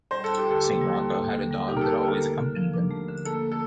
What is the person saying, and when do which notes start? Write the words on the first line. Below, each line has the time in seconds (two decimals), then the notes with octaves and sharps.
Saint Rocco had a dog that always accompanied him.
0.11 G3 C5
0.24 A4
0.28 D#2
0.38 G4
0.47 D3 A4
0.64 A#3 G4
0.82 G3
0.99 D#2
1.17 A#3
1.34 D3
1.51 G3
1.68 D#4 G4
1.77 A#4
1.81 A4
1.86 A#3
1.95 A4
2.04 D3 A#4
2.21 A3
2.38 D3
2.56 F3
2.74 D4
2.90 A3
3.08 D3
3.25 A#3 A4
3.52 A4